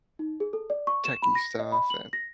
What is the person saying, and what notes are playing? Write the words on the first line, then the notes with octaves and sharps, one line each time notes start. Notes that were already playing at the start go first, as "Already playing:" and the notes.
techy stuff and
D#4
G#4
A4
D5
C#6
E7
B5
A#6
D#5
B5
F#7
A#6